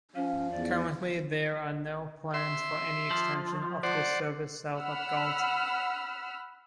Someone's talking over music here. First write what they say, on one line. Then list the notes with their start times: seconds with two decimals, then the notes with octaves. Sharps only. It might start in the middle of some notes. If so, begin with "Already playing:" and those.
Currently there are no plans for any extension of this service south of Galt.
0.16 F3 C#4 F5
0.51 E2 D5
2.34 E5 C6
3.10 F3
3.83 C5 D5 F#5
4.76 F#5 B5 E6 F6